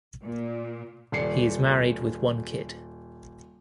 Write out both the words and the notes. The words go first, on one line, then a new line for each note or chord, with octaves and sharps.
He is married with one kid.
A#2
D#1 D5 C7 C#7